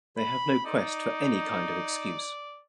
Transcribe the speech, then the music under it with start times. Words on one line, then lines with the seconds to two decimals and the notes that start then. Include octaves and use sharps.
They have no quest for any kind of excuse.
0.18 B5
0.66 D#4 D5